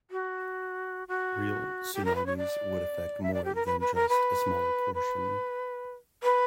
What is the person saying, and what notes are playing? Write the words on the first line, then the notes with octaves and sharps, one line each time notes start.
Real tsunamis would affect more than just a small portion.
F#4
F#4
G4
A#4
B4
C#5
D5
E5
D5
G4
A#4
B4
B4
A#4
B4
B4
B4